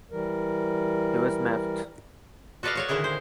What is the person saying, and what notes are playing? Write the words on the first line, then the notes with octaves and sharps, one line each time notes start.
He was miffed.
E3 G3 A#4
F#4 A4 B4 D5 D#5 F5
F#4 C#5 D5
A#2 D3 D#3 E4 G#4
C5